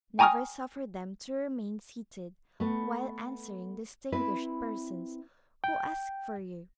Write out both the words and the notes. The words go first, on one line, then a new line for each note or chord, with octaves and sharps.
Never suffer them to remain seated while answering distinguished persons who ask for you.
G5 G#5 A#5 C#6 D#6 F6
A3 B3
C4 E4 B4
G5